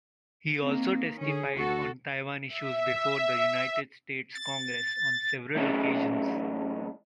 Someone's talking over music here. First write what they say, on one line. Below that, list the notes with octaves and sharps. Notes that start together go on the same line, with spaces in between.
He also testified on Taiwan issues before the United States Congress on several occasions.
D#3 A#3 C4
D3 C#4 G#4
D2 F#4 A4
E5
A6
F#2 A2 E3 G#3 C4 C#4